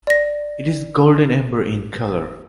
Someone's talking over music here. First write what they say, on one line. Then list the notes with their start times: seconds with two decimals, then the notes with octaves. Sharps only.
It is golden amber in colour.
0.07 D5 A#6